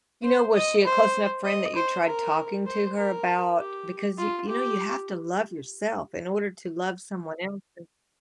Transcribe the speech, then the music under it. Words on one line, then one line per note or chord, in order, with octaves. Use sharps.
you know, was she a close enough friend that you tried talking to her about because you you know you have to love yourself in order to love someone else and
C5
D#5
C5
D#5
C5
A#4
C5
A#4
G4
F4
G4